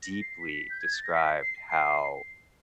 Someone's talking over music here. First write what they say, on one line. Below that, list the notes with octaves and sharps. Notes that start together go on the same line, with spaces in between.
deeply described how,
A#6
C7
B6
G6
G#6
A6
A#6
B6
C7
C7